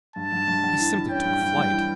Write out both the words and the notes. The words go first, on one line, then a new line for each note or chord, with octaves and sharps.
He simply took flight.
G2 A5
G2
G2
G3
E3
E3
C#4 G5
G2
G2
G3
E3